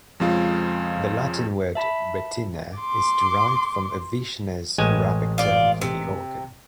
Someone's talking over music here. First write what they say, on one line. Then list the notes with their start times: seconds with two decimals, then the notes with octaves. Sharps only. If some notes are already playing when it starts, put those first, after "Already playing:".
The Latin word "retina" is derived from Avicenna's Arabic term for the organ.
0.20 F2 C#3 G#3 F4
1.75 E5 A5 B5 B6
2.77 C6 D6
4.78 A1 G#3 G#5
5.38 F4 D5
5.81 C3